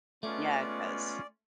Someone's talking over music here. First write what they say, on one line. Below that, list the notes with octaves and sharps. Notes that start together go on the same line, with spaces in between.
Yeah, it does.
G#3 A3 B3 C#4 F4 D5